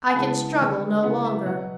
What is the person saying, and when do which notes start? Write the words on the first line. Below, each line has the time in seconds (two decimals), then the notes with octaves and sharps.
I can struggle no longer.
0.09 G#5
0.16 C#3 E3 G#3 B3 F#5 A5
0.58 D3 G#3 B3
1.02 C#3 E3 G#3 B3 F#5
1.25 E5
1.45 B2 F#3 B3 F#5